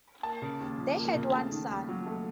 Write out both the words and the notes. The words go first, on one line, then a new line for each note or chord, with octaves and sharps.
They had one son.
A#3 A5
C#3
D#2
F3
A#3
C#3
A3 A5
D#3
D#2
F#3
A3